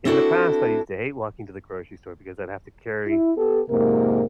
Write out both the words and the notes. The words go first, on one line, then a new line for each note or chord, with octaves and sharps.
in the past, I used to hate walking to the grocery store because I'd have to carry
C4 D4 E4 F#4 A4
E4
B3 G4 A4
F2 G#2 C3 A#3 A#4